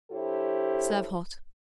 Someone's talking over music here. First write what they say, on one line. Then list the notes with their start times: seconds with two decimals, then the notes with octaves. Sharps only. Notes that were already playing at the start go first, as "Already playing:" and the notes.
Serve hot.
0.12 G2 E4 G4 A4 C5 C#5